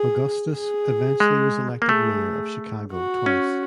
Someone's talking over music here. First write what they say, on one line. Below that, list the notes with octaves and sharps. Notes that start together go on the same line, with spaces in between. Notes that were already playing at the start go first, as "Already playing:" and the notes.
Augustus eventually was elected mayor of Chicago twice.
Already playing: G#4
G#4
G#3
A#3
A3 G#4
F#4
C#4